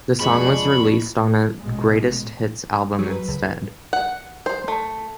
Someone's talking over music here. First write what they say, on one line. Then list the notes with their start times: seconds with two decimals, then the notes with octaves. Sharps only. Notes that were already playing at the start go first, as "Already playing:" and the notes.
The song was released on a greatest hits album instead.
0.20 F2 G#3 D4 G#4 C5 B5 C#6
1.59 A1 B2 G#3
2.99 F#3 G3 G#4
3.11 B4
3.28 C#2
3.93 F#5
4.46 C5
4.68 A3